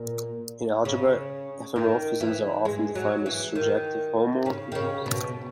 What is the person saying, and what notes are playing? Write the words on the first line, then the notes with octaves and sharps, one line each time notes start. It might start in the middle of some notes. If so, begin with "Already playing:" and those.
In algebra, epimorphisms are often defined as surjective homomorphisms.
Already playing: A#2
C#3
D#3
E3
G#3
F#3
E3
D#3
C#3
D#3
C#3
B2